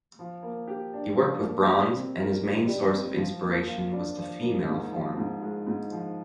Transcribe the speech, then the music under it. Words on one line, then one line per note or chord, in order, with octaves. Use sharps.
He worked with bronze and his main source of inspiration was the female form.
F3
A#3
G4
D4
F3
A#3
G3
C4
A#4
D#4
G3
C4
F3
A#3
F4
D4
F3
A#3
G#2
F3
G#2
G#3
G#2
F3